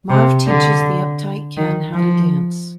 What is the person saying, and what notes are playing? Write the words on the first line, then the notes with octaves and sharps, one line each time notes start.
Marv teaches the uptight Ken how to dance.
C3
D3
D#3
F3